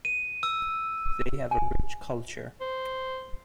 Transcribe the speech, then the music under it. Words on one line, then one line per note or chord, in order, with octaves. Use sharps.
They have a rich culture.
D#7
E6
G#5
C5